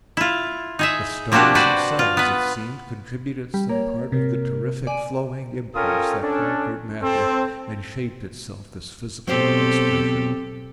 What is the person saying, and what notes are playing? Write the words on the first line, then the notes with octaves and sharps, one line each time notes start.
The stars themselves, it seemed, contributed some part of the terrific, flowing impulse that conquered matter and shaped itself this physical expression.
E4 F4
D#4 G#4 E5
F3 A#3 C4 D4 F#4 G4
F#4 B4 C5 D5 G5
F4
B3 B4
G3
A#3 C#5
C3 A#4
D5 G#5
C#4 F4 A4 A#4 G5 D#6
C#4 D4 A4
C4 A4
B2 F#3 C4 G4 A4 C5 D5